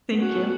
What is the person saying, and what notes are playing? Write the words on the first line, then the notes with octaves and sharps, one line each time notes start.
Thank you.
B3
C#4 F#4
A3
B3